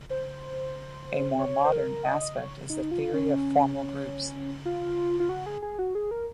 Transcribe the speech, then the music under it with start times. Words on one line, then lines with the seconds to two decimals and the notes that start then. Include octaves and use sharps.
A more modern aspect is the theory of formal groups.
0.10 C5
1.39 C#5
1.65 C5
1.72 A#4
2.05 D#5
2.21 D#5
2.37 C#5
2.70 D#4
2.91 F4
3.14 C#4
4.65 F4
5.20 F4
5.29 F#4
5.46 G#4
5.62 G#4
5.79 F#4
5.95 G#4
6.11 A#4